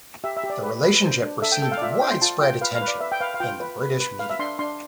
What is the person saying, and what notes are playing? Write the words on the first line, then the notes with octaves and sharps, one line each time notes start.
The relationship received widespread attention in the British media.
G4 E5
E5
G4
D5
B4
B4
C5
D4
A4 E5
G5
A4 G5
F5
D5
F4 E5
E5
C5 G5
C6
F4 A5
F4 G5
B4 F5
F5
B4
D5
B4 E5
G5
B4 F5
F5
F4 G5
B4
B4
B4
B4 F5
E5
D4 C6
D4 C6